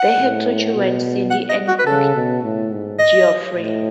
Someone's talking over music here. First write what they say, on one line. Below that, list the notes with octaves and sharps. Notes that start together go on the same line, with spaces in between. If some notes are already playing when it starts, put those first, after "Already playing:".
They had two children, Cindie and Geoffrey.
Already playing: F#5
A2
B2
F#5
D#5
F#4
B4
C#3 A4
B2
A2
G#2
D#5
A2